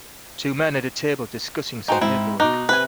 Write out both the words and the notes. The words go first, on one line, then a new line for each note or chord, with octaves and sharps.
Two men at a table discussing some paperwork.
D#4 F#4 C5 G5 G#5
G#2 C4 E4
B2 D#4 D6 F#6
C3 B4 G#5